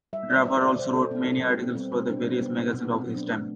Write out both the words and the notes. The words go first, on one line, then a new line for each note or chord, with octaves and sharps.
Draper also wrote many articles for the various magazines of his time.
G3 E5
D5
G3 C5
D5
B2 C5
A4
B2 C4
C4
G3 C4
B3
G3 C4
C4
C3 D4
C4
C3 B3
B3
B2 B3
C4
F#3
D4
A3